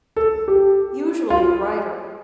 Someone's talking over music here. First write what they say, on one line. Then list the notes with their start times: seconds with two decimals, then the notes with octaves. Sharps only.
Usually a writer.
0.17 A4
0.48 G4
1.30 F4